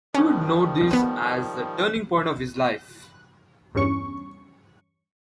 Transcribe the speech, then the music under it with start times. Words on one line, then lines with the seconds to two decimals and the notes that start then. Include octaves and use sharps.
He would note this as the turning point of his life.
0.15 D#3 F3 G3 C#4
0.91 B3 B4
3.75 E2 G2 C#4 C#6